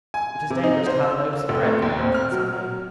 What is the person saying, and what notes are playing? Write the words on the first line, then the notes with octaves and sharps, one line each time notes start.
It is dangerous to have loaves of bread going out on Sunday.
G#5
C3
D#4
C5
E6
E6
F1
A3
D#2
C4
F6
F#3